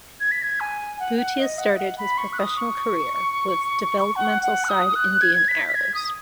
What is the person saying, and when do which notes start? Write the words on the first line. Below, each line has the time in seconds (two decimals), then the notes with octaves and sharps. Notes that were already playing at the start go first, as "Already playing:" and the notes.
Bhutia started his professional career with developmental side Indian Arrows.
0.20 G#6
0.31 B6
0.42 G#6
0.60 G#5
1.00 F#5
1.19 F#5
1.39 D#5
1.58 F#5
1.73 D#5
1.79 F#5
1.98 B5
2.18 C#6
2.33 F#6
2.39 D#6
2.57 C#6
4.16 F#5
4.43 F#5
4.64 F#6
4.69 D#6
4.95 F#6
5.21 G#6
5.48 B6
5.68 B6
5.75 G#6
5.94 D#6